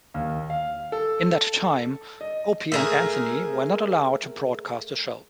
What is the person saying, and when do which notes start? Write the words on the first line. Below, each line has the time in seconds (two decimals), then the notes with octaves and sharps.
In that time Opie and Anthony were not allowed to broadcast a show.
0.14 D#2
0.50 F5
0.92 A4
2.21 D#5
2.72 A3 G#4 A#4